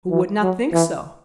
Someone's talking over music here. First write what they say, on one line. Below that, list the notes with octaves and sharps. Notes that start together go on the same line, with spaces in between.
Who would not think so?
E3
F#3
E3